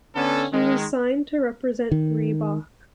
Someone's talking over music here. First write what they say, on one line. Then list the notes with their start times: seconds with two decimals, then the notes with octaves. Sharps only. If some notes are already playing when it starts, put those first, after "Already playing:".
She was signed to represent Reebok.
0.15 D3 B3 C#4 A4
0.53 D#3 G#3
1.92 D#3